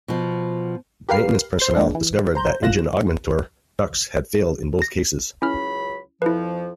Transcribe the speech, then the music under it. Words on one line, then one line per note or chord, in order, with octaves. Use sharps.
Maintenance personnel discovered that engine augmentor ducts had failed in both cases.
B2 F3
G4 A#4 B4 F5 C7
C5 C6
A#2 G#3 D4
E3
C5 A#5 G6
G1 F#2 F4 F#6 A#6 E7
A#6
C#2 F#3 C#4 E4 B5 F6
F2 F3 E4 B4